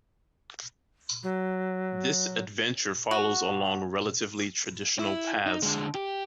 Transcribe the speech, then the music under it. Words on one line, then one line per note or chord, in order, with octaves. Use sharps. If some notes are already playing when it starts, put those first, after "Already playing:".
This adventure follows along relatively traditional paths.
F#3
F#4
E4
D#4
D3 G#3
G4